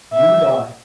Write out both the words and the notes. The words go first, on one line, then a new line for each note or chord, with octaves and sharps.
You and I.
E5